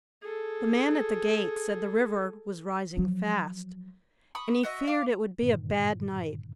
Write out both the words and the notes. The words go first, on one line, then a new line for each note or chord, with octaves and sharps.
The man at the gate said the river was rising fast, and he feared it would be a bad night.
G#4 A4
F3 F#3
B5 C#6 D#6
F#4 D#5 E5
F5 D6
G2 A#2 D3 D#3